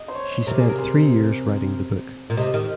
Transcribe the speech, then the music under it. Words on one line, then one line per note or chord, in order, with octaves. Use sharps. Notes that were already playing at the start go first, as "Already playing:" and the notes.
She spent three years writing the book.
Already playing: D#5
C5
C#5
C3 A#4
G#4
A#4
C5
A#2
C3 D#5
D#3